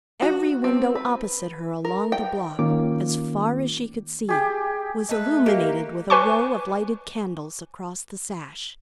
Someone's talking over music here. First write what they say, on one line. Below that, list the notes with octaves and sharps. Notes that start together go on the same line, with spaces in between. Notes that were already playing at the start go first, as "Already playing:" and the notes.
Every window opposite her along the block, as far as she could see, was illuminated with a row of lighted candles across the sash.
F#4
C4
B4
A#4
G5
D#3 A#3 C#4 F4 D6
G4 G#4
A3 D#4 A4 B4
A#3 D#4 G4
B4 G#5 C#6 D6